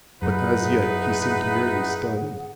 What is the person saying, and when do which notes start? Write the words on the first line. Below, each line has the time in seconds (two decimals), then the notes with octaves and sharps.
But as yet he seemed merely stunned.
0.22 F#2 D#4 E4 G#4 B4 F#5